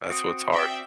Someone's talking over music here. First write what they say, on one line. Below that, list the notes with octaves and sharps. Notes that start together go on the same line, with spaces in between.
That's what's hard.
C4 F#4 D#6 D7
D5 E5 G5